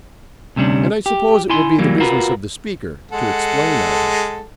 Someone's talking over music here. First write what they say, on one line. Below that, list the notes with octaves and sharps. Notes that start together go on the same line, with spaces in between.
"And I suppose it will be the business of the speaker to explain all this."
D2 C3 G3 C#4 D4
G4
E4 G#5 C6
E3 F#3 G3 A#3
F4 F#4 A#4 B4
G#3 A4 F#5